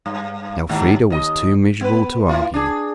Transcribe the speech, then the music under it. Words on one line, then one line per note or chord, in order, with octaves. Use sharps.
Elfrida was too miserable to argue.
G2
D#2 G#2
D#2 D#5
B3 B4
A2 E4 F4
D4 G#4